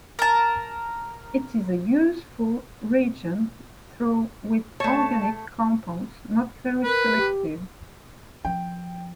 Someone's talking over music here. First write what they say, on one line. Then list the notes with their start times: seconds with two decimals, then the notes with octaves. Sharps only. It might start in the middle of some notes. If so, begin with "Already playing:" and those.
It is a useful reagent, though with organic compounds, not very selective.
0.19 A#4 A5
4.80 A3 C#5 A5
6.84 A#4 B4
7.17 G4
8.45 F3 G5